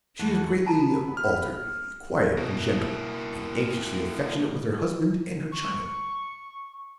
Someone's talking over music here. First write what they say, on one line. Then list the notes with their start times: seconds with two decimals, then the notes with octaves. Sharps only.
She is greatly altered--quiet and gentle, and anxiously affectionate with her husband and her child.
0.19 E2 A3 F#5
0.66 B3 A5 A#5
1.17 F6
2.37 B2 A#3 E4
5.52 C#6